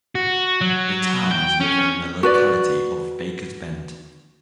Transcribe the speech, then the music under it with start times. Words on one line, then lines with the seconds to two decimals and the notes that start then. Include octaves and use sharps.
The town is within the locality of Bakers Bend.
0.15 F#4
0.61 F#3
1.31 G5
1.61 C#4
2.23 F#4 B4 D5